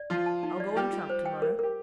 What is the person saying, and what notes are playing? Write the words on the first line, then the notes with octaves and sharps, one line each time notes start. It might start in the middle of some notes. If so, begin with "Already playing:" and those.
I'll go on tramp to-morrow.
Already playing: D5
F3 F4 C6
A5
D#4
D5
G3 F4 G4
F4
C5
G5
A#4
G4 A#4